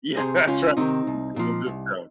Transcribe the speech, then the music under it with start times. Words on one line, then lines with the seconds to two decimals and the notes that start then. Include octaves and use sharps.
Yeah, that's right, and people, just, go.
0.17 C3 D#3 G#4 C5
0.47 C#2 C#4 F4
0.77 C3 D#3 C4 D#4
1.07 C2
1.36 A#2 F3
1.66 C2